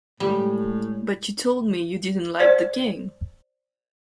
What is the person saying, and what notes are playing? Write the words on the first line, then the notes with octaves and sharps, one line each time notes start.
But you told me you didn't like the game.
A2 G3 G#3
C5 D5